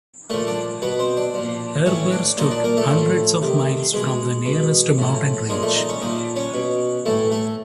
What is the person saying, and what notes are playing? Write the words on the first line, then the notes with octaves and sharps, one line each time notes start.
Erebor stood hundreds of miles from the nearest mountain range.
A#2 F3 A3 A4
D4 D5
B2 B3 B4
C4 C5
D4 D5
A#2 F3
A2 E3 C#4 C#5
D4 D5
A#2 F3 D#4 D#5
D4 D5
A#3 A#4
A3 A4
A2 F3
C3 D#3
B2 G#3 G#4
B2
A2 F3
A#2 F3 G#3 G#4
A3 A4
D#4 D#5
C#4 C#5
A#2 F3 D#4 D#5
C#4 C#5
B2
A2 E3 A3 A4
A3 A4